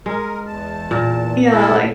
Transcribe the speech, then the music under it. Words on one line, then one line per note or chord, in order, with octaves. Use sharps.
yeah, like
G#3 A#4
E2 A5
A#2 A#4
E4 A4